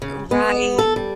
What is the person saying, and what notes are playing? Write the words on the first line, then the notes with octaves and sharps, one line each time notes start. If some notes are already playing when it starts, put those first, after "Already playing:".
Eh, right.
C#3
B3
A4
G3